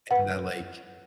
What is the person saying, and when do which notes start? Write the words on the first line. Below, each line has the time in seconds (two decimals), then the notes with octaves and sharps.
And that, like,
0.11 B4 F#5